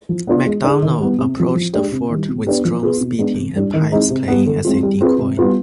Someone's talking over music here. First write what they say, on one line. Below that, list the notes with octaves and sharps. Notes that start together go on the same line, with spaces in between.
McDonald, approached the fort with drums beating and pipes playing as a decoy.
F3
B3 D4 F4
G#3
D4 G#4
D#3
G3 B3
C3
F3 C4
F3
G#3 D4 G4
C3
D#3 G3
B2
B3 D4 G4 B4
F3
B3 F4 G#4 B4
B2
G#3 B3 D4
C3
G3 D4
D#3
G#3 C4 D#4
C3
G3 B3
D3
G#3 C4 F4
G3
C4 F4 G#4 B4
C3
G3 B3 F4 B4